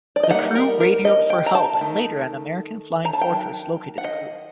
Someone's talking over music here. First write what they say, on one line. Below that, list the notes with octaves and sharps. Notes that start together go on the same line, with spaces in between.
The crew radioed for help and later an American Flying Fortress located the crew.
D5
D#5
G3 A#3 D#4 F#5
A#4
A#4
D#5
G5
A#5
A5
D#3 A3
A#5
A5
G5
D#3 F#3
F#5
D#5